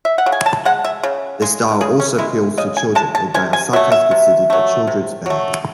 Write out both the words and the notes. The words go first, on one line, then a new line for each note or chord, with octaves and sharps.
Their style also appeals to children, and they are sometimes considered a children's band.
E5
F#5
C#3
G#5
A5
G#3 F#5
E5
C#3
G#3
C#3 G#4
C#4
G#3 E4
C#3 D#5
G#5
G#3 A5
A5
C3 G#5
G#5
F#3 A3 E5
E5
C3
F#3 A3
C3
F#3 A3